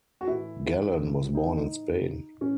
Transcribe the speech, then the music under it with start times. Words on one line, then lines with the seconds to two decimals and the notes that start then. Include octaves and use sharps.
Galan was born in Spain.
0.21 F#4
0.27 A2 E3 E4
1.35 D#4
2.41 A2 E3 C#4